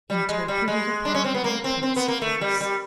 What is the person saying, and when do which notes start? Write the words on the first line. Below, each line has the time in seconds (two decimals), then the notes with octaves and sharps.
Interpret it upon My principles.
0.10 G3
0.28 G#3
0.48 G3
0.68 G#3
1.05 D4
1.14 C#4
1.24 C4
1.34 B3
1.44 A#3
1.64 C4
1.83 C4
1.96 B3
2.08 A#3
2.22 A3
2.41 G3
2.61 G3